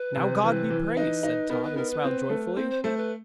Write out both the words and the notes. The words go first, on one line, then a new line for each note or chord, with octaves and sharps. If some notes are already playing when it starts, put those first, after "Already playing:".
'Now God be praised,' said Tod, and smiled joyfully.
Already playing: B4
C3
E3 B4
E3
D#4 B4
D#4
B3 A#4
B4
B3 A#4
B4
C4
A3
C4 C5
C5
A3 C5
B4